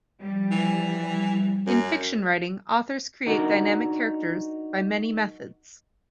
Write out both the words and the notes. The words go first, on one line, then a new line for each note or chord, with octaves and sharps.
In fiction writing, authors create dynamic characters by many methods.
F3 G3
E3
F#2
D4 D#4 F#4 A#4